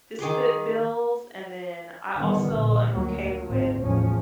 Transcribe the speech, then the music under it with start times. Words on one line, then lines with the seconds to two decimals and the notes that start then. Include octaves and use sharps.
to split bills and then, I also am okay with
0.19 D#3 G#4 C6 D6
2.15 G1 D3 D#3 G3 B3
2.50 A#1
2.91 D2 F#3 A#3
3.49 G#1 C4
3.80 A1 E2 G#2 F3 C#4